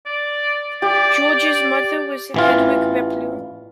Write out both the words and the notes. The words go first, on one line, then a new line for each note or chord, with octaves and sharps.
Georg's mother was Hedwig Wepler.
D5
G4 D5
A1 E3 F4